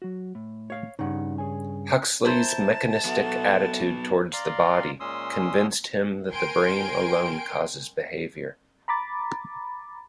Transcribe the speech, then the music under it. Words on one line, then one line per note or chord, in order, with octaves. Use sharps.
Huxley's mechanistic attitude towards the body convinced him that the brain alone causes behavior.
F#3 F#4
A2
C#5 F5
G2 C#3 D#4 F#5
G#4 C#5 G#5
E4 A#4 C5 A5
F#3 B3 A4 E5 F#5
D5 F5 A#5 C6
A#2 G#3 C#4 C6 D#6 E6
A#4 G5 G#5 C6 D7
A#5 B5 D6 A6